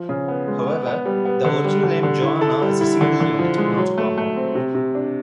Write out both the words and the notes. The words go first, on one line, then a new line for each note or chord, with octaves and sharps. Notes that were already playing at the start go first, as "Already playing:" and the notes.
However, the original name Joanna is a single unit, not a compound.
Already playing: F3
C#3
B3
G#3
B3
B3
G3
B3
D3
G3
D3
D3
E4
A4
G3
E4
D3
D3
F3
G#3
F#3
A3
A3
C4
C3
C3
D4